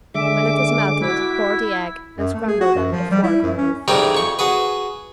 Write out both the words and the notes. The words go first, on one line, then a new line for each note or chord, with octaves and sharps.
When it is melted pour the egg and scramble them with a fork on a low fire.
D3 G#3 E5 D6
E4 F#4 B6
F#2
A3
G#4
F#4
F#2
F3
G3
E4
F#2
C#4
G#2 G3 A3 C4 A#4 D#5
F2 C#6
F#4 G#4 B4